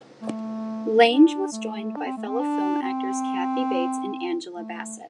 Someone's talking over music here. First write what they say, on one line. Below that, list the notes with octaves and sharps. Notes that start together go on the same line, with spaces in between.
Lange was joined by fellow film actors Kathy Bates and Angela Bassett.
A3
D4
A3
D4
C4
A3
C4
D4
C4
A3